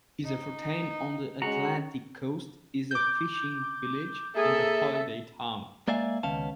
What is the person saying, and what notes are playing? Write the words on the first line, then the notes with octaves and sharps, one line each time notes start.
Yzerfontein on the Atlantic coast is a fishing village and holiday town.
D#4
G#3 C#4 F#4 A#5
D6 G6
A#3 G#4 A4 E5
G#3 A#3 D5 E5 F5 G#5
C#2 D#3 B3 C#4 F5 A5